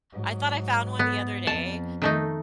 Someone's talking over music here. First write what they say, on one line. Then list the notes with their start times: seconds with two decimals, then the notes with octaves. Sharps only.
I thought I found one the other day,
0.11 G#2 F#3
0.99 B3
1.47 F2 A5
2.02 D#3 A3 D#4